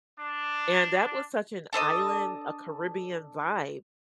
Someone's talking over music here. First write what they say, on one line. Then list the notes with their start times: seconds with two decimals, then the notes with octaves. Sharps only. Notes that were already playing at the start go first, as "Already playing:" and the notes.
and that was such an island, a Caribbean vibe,
0.17 D4
1.73 D4 A4 C5 D#5